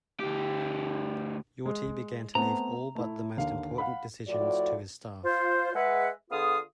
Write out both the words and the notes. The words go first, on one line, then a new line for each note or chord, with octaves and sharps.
Yorty began to leave all but the most important decisions to his staff.
D2 G4
G#3
A3 B3 C4 A#5
A3 E4
D#2 D3 F5
F5 F#5 B5
A2 F3 F#4 D5
F4 C5
G#3 B4 E5 F#5
D3 B3 F4 G#4 F5 D#6